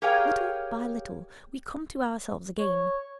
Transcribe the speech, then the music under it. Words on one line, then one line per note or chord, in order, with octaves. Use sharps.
Little by little we come to ourselves again.
G4 G#4 A#4 C#5 F5 G5
C#5